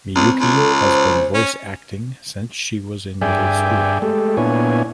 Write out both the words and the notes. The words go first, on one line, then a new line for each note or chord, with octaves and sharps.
Miyuki had been voice acting since she was in middle school.
C#2 C4
C#2
A4
C5
C#4
G2 G#4 D5 E5 G5 G#5
G#3 A3 G4 A4
A#2 B3 D4 E4 C#5 G#5